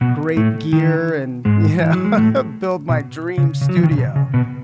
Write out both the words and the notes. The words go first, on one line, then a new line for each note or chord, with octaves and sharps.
great gear and, you know, build my dream studio.
B2 B3
A2 A3
D#3
G#2 G#3
E3
F#3
G#3
A2 A3
B2
C#3
C#3
F#3
E3
D#3
C#3
B2
C#3
B2 B3